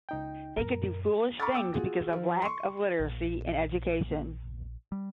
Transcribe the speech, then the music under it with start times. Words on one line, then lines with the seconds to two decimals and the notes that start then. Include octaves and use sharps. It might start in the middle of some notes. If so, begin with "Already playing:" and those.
They could do foolish things because of lack of literacy and education.
0.09 C#2 D#4 G5
0.57 F#2 A#2 A#4
1.40 A#5 B5 C#6 D6 F6 A6
1.54 G5 D6 E6
1.73 F4 F#4 G#4
2.13 F3
2.42 C6 C#6
3.00 A#1
4.92 G3